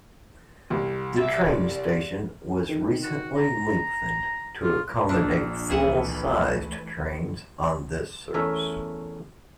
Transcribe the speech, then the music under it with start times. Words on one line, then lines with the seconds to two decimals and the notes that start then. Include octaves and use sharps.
The train station was recently lengthened to accommodate full sized trains on this service.
0.70 C2
1.17 E5 D6
1.47 D5
2.69 D#3
3.03 F#4
3.36 A#5
4.62 F4
5.09 A#1 D4
5.70 C#2 E3 A3 G#4 B4 E5 F#5
8.34 E2 A3 C#4 A#4 C#5 E5